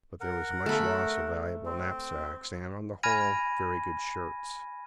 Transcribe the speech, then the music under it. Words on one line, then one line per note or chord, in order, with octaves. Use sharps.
But there was much loss of valuable knapsacks, and, on the whole, very good shirts.
A#4 F#5
A3 B5
C4
G#5 B5 F6 G#6 A#6 D#7